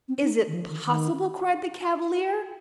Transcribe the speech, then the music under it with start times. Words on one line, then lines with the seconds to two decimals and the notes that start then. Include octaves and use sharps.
"Is it possible?" cried the Cavalier.
0.08 C4
0.19 D4
0.24 D#4
0.48 D#3
0.54 F3
0.70 D#3
0.85 D#3